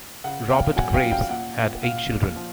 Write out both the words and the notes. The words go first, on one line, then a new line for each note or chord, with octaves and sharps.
Robert Graves had eight children.
C#3 F#5
E2 F5 G5
F#3 F#5 G#5
F5 G5
F#3
F5 G5
A#2 F#5
A#2
A#2 F5
A#2
F3